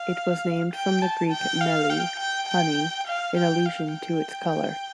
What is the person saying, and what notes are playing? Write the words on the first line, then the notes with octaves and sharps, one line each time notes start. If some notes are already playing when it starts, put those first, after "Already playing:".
It was named from the Greek "meli" "honey", in allusion to its color.
Already playing: F5
G5
A5
G5
F5
G5
G5
G5
F5
G5
F5
G5